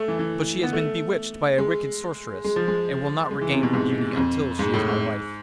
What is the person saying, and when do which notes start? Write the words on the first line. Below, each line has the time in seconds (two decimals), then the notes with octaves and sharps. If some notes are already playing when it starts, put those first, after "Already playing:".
'But she has been bewitched by a wicked sorceress, and will not regain her beauty until she is my wife.'
Already playing: A3
0.08 E3
0.19 E3
0.63 B3
0.73 A3
1.58 G#3
2.44 G#3
2.56 F3
2.68 G#3
3.31 G#3
3.41 E3
3.52 C3
3.63 B2
3.73 G#2
4.17 F2
4.59 G#2
4.74 A2
4.89 G#2